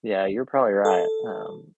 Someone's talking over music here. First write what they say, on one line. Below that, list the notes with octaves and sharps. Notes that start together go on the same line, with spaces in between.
Yeah. You're probably right. Um,
A4